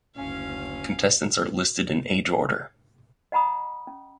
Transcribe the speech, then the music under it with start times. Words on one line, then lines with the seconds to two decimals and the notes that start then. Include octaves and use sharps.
Contestants are listed in age order.
0.17 F#1 D2 C#4 F5
3.32 D#5 F#5 A#5 B5 D#6
3.87 C#4